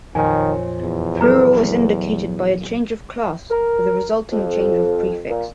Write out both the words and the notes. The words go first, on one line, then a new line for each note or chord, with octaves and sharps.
Plural is indicated by a change of class, with a resulting change of prefix.
F2 A#2 D#3 C#5 G#5
E2
F#3 A4 B4 A#5
A#4
F2
A#2